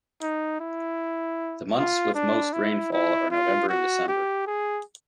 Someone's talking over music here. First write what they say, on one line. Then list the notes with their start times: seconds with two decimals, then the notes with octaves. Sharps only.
The months with most rainfall are November and December.
0.21 D#4
0.60 E4
1.76 F4
2.15 D4
2.53 E4
2.92 E4
3.31 F4
3.69 F#4
4.08 G4
4.47 G#4